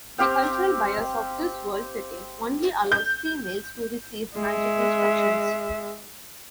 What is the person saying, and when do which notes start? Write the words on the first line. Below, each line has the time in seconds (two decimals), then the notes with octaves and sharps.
The cultural bias of this world setting only allows females to receive magic instructions.
0.18 C4 G4 F5 G5
2.92 G6
4.36 G#3 E5